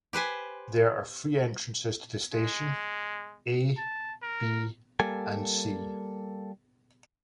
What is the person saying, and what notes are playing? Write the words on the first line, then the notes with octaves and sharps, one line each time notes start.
There are three entrances to the station: "A", "B", and "C".
G4 B4 C5 G#5
G#3
A5
A#4
G3 A#3 A4 G#5